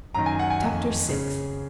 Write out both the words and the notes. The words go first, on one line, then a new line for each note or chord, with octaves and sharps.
Chapter VI.
F#2 D#3 A#5
G#5
F#5
G#5
F2 D#3
C#3